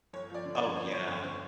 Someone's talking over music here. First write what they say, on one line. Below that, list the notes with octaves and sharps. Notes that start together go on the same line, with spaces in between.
Oh, yeah.
G1 C#5
F3 D5
D3
C#5
F3
F3 C5
G1 C#5
D3 C#5
D3 C5